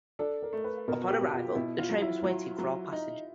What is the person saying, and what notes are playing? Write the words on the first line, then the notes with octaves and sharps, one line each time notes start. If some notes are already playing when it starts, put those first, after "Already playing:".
Upon arrival, the train was waiting for all passengers.
D4 A4
A#4
A3
B4
B2 A#4
F#4
G4
B2
F4
B2 E4
F4
F#3
E4
F#3
F#3
D#4